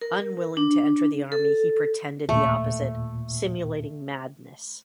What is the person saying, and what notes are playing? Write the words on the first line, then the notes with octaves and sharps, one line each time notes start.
Unwilling to enter the army, he pretended the opposite, simulating madness.
A#4
D4
A4
D#2 A#2 A3